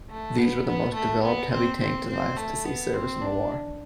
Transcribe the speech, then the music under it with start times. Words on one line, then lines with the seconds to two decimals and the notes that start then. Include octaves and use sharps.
These were the most developed heavy tank designs to see service in the war.
0.09 A3
0.38 B3
0.66 B3
0.94 A3
1.23 B3
1.51 C4
1.79 C4
2.08 C4
2.36 A3
2.64 B3
2.93 C4
3.21 D4